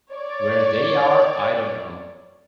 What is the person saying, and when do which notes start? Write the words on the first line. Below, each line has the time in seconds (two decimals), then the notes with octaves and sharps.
Where they are I don't know.
0.12 C#5 D5